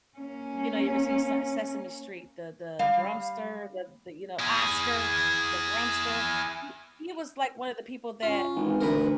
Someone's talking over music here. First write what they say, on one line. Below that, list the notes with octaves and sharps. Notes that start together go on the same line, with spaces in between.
you know, you ever seen S Sesame Street, the the Grumpster, the the, you know, Oscar, the Grumpster, he he was like one of the people that,
A#3 C#4
G3 F5
E4 G#4
C#4 F4
G#1 E3
D2 A#4 B4